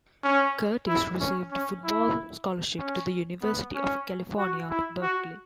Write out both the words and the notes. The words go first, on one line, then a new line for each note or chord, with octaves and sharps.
Curtis received a football scholarship to the University of California, Berkeley.
C#4
E4
C#4
C#4
E4
C#4
B3
C#4
F#4
E4
F#4